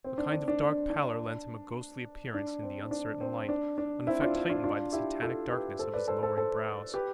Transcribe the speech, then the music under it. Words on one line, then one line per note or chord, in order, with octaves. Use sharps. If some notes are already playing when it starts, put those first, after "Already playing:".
A kind of dark pallor lent him a ghostly appearance in the uncertain light, an effect heightened by the satanic darkness of his lowering brows.
C4
D4
D4
D4
D4
D4
D4
C4
D4
C4
D4
D4
C4 E4
D4 F4
D4
D4 F4
D4 F4
E4 G4
F4 A4
G4 B4
A4 C5
B4 D5
A4 C5
A4 C5
A4 C5
G4 B4